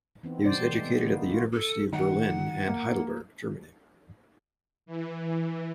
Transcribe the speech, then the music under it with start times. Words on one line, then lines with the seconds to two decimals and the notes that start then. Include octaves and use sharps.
He was educated at the University of Berlin and Heidelberg, Germany.
0.23 E3 B3 C4 D#4
0.43 C3 G3 C4 C5 D5
0.62 E3 G#3 A3
0.85 B3
1.02 D3 F3 A#3 B3
1.29 F4 F#4
1.53 A4
1.93 D#3 F#5
2.68 A#3
4.86 E3